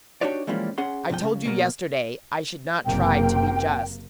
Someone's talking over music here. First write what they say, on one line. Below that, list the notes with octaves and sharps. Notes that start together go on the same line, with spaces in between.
I told you yesterday I should not try to be just.
D4 D#4 F#4 G4 C#5 D5
E3 F3 G3 G#3 A#3 C#4
C#4 G#4 F#5 C6
B1 G2 F3 G5
C#2 C#3
B2 A#3
F#1 C3 A#3 G5